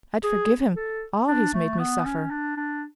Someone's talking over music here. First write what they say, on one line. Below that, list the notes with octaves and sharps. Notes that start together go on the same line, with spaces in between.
I'd forgive him all he's made me suffer.
G#4
A4
D4
A3
B3
C#4
D4
D4